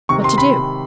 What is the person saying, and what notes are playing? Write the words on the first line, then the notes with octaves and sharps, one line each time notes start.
"What to do?"
C3 D#3 C#6
C6
B5